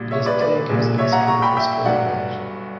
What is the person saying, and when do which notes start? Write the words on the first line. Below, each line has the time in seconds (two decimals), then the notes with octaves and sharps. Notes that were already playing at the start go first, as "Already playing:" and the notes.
The display gives a history of Australian art.
Already playing: A#1 A#2 G3
0.11 C#5 E5
0.26 B4 D5
0.40 B4 D5
0.69 A#1 A#2 G3
0.98 C#5 E5
1.12 F#5 A#5
1.27 A#5 C#6
1.42 G5 B5
1.56 E5 G5
1.85 G1 G2 F#3 D5 F#5